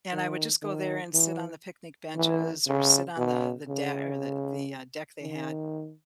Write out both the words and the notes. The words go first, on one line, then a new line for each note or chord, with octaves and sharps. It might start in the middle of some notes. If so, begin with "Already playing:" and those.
and I would just go there and sit on the picnic benches or sit on the the deck or the the, uh, deck they had
D#3
D#3
E3
E3
C#3
B2
C#3
D#3